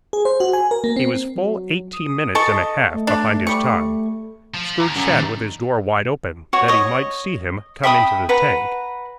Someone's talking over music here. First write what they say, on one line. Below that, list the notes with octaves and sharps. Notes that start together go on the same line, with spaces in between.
He was full eighteen minutes and a half behind his time. Scrooge sat with his door wide open, that he might see him come into the tank.
G#4
C5
F#4
G#5
A#4
A#3
C4
F#3
D#6
A4 D#5 A5 C#6
A3
D4
G3 C#6
F3
D#2 A#5
D3 A3 C#4 F#5
A#2 D#3
F#4 C#5
C#5 D#5
E5 G5 B5 D#6
B4 F#5 A#5